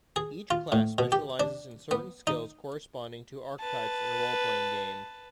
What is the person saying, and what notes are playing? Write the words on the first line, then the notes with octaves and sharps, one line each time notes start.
Each class specializes in certain skills corresponding to archetypes in a role-playing game.
G#4
F4
A2
B2
G4
D4
B3
D#4
B4 A5